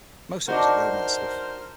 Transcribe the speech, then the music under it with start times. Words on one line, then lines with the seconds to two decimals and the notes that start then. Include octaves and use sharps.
Most of it was the romance stuff.
0.48 D4 D#4 F#4 A#4 C5